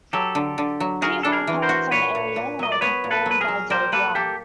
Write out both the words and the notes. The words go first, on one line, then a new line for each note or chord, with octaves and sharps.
Keyboard parts on "Alien" were performed by Dave Young.
F#3 G4 A4
D3
D3
F#3
F#4 G#4 A#4
D4 A4
G#4 A#4
E3
A#4 C5
F#4
A#2 B4 C#5
A#2
A#2
F#3 D#5
D5
B3 B4 C#5
A#2
A4 B4
F#3
B4
G#4 A#4
F#3
G3 A#4 C5
A#3 A4 B4
A#3 G4 A4